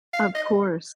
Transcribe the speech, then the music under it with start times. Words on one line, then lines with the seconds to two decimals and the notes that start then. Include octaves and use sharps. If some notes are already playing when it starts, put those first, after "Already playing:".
Of course.
0.13 F5
0.35 D#5